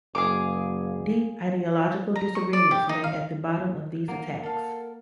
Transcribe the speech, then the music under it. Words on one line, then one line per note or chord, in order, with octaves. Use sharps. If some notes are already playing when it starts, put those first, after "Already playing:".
Deep ideological disagreements lay at the bottom of these attacks.
F#1 G#4 F5 D6
A#5
C#6
D5
G4
D#4
F5
A#3 F#5
A4 A#4 F5